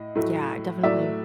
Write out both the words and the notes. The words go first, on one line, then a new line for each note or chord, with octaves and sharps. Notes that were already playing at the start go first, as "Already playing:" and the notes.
Yeah, definitely.
Already playing: A2 D#5
A2 F#3 A3
A2 F#3 A3 D5 E5